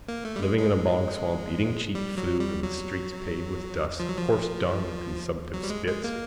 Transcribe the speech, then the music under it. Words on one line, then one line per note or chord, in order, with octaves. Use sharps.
Living in a bogswamp, eating cheap food and the streets paved with dust, horsedung and consumptives' spits.
A#3
A3
G3
G#3
G#3
G3
F#3
G3
F#3
F3
F#3
F3
F#3
G3
G#3
G#3
A#3